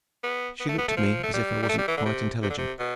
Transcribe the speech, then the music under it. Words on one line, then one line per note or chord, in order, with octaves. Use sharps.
She looked at me as if I wasn't quite intelligent.
B3
B3
A3
B3
A3
F3
A3
G3
G3
A3
G3
E3
D3
C3
C3
D3
C3
B2